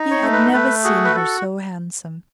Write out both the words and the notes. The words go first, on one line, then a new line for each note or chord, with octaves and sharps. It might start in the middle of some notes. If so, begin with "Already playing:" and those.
He had never seen her so handsome.
Already playing: D#4
C#5
A3
B4
A3 B4
F#4 G#4
B4
F#4 A4